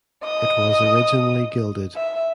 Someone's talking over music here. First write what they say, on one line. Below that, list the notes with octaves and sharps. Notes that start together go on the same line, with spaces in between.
It was originally gilded.
D#5 D#6
E5